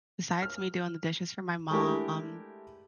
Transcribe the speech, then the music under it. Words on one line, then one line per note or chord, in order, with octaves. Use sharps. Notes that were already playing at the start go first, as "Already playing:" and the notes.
Besides me doing the dishes for my mom
F6
G#3 A3 D4 E4 G4 A#4